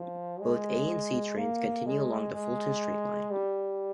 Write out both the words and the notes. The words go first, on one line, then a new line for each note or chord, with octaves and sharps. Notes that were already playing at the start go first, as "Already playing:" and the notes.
Both the A and C trains continue along the Fulton Street Line.
Already playing: F3
G#3
A#3
G#3
G#3
G3